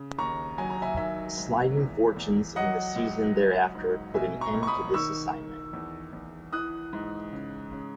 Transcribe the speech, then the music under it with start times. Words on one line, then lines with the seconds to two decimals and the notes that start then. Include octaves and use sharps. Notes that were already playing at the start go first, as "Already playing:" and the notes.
Sliding fortunes in the season thereafter put an end to this assignment.
Already playing: C#3
0.18 D#2 A#5 C#6
0.58 F#3 G#5
0.70 A#5
0.82 E5 G#5
0.97 D#3 E5 G#5
1.38 G#2
1.77 E2
2.17 E2
2.56 F#3 D#5 F#5
2.96 C#2
3.36 F#3
3.75 G#2
4.14 B2 E5 G#5
4.41 A#5 C#6
4.54 C#2
4.63 C#6
4.67 B5 D#6
4.94 D#3 C#6 E6
5.33 D#3
5.73 E2
6.13 E2
6.52 E3 D#6 F#6
6.93 G#2
7.32 C#3
7.72 C#3